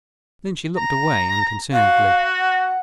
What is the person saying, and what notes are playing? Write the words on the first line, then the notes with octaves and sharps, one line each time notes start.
Then she looked away unconcernedly.
A#5
F#4 F5
F#5